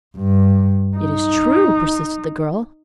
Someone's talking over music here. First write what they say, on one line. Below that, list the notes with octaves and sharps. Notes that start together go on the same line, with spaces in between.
'It is true,' persisted the girl.
G2
D#4